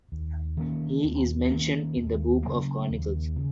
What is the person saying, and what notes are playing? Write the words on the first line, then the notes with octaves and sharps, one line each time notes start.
He is mentioned in the Book of Chronicles.
D#2
D#3 A#3 C#4
D#2
D#3 A#3 C#4
D#2
C#3 F#3 A#3
D#2
C#3